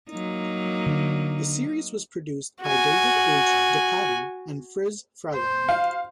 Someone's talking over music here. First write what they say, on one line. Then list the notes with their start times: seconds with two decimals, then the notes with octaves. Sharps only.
The series was produced by David H. DePatie and Friz Freleng.
0.10 F#3 A#3 D#4
0.86 D3 D4
2.62 F#4 G#5
5.33 C5
5.69 F5